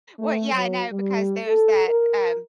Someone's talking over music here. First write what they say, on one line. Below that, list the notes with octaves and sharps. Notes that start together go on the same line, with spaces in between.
Well, yeah, I know because there's that, um,
A3
F#3
G3
A4
A#4